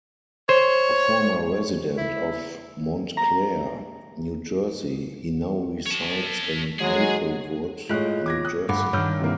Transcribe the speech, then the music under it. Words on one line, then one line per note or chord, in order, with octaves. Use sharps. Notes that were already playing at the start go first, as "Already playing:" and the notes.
A former resident of Montclair, New Jersey, he now resides in Maplewood, New Jersey.
C5 C#5
E4
A#5
C#5 A5
F#3 G#3 G#4
A2 G#3 F4 C#5 F#6
D6 G#6 A#6
D#6 F#6
D2 G2 F#5 B5 D6
G2 D#3 C#5 E6 F6 G6
C3 E3 A#3